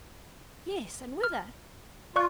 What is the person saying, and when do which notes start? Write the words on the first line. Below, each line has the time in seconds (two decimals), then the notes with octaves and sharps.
Yes, and whither?
1.24 F6
2.16 F4 D5 C#6 F#6